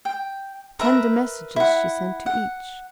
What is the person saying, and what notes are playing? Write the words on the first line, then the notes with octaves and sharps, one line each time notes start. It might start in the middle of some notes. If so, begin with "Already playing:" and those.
Tender messages she sent to each.
G5
A#4 B4 E5 A#5
E4 F#5
F#5